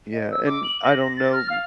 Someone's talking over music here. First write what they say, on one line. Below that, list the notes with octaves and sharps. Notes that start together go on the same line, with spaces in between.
Yeah, and, I don't know
D#5
E6
D6
F#7
A#6
A#6
A6
F6
F5